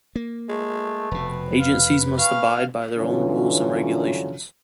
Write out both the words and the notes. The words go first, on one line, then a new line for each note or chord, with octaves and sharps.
Agencies must abide by their own rules and regulations.
A#3
G#3 A3
F1 B2 B4
F5
C#4 F5
G2 D3 E3 F#3 C#4 F4